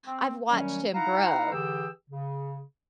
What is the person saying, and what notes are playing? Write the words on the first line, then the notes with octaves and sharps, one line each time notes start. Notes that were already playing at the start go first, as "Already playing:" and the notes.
I've watched him grow,
C4
D#3 F#3 G3 A3 C#4
D#4 E4 F5 F#5 A#5
D3 E3 G4 G#4 G5 E6
C#3